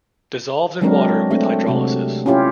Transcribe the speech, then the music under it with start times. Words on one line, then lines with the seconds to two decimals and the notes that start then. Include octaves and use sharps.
Dissolves in water with hydrolysis.
0.82 F#3 G#3 C4 D4 A#4
1.31 A3 C4 D4
1.67 C3 F#4
2.26 C#4 E4 F4 G4 C#5